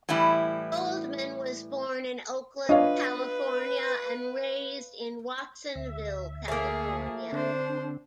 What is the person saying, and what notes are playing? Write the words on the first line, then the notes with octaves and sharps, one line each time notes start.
Goldman was born in Oakland, California and raised in Watsonville, California.
A2 E3 G3 E4
D4 F4 B4 C#5 D#5 F5
D2 E5
A3 A#3 G#4
D3 C4 D4 C5